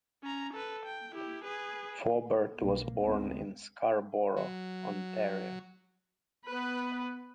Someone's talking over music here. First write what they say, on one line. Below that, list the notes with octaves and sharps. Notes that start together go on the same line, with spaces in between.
Faubert was born in Scarborough, Ontario.
C#4 A#5
A4 B4
G5
E4 G4
G#4 B4
B1 A#3
D2 D3 G#3 B3 C4
F#3
B3 B4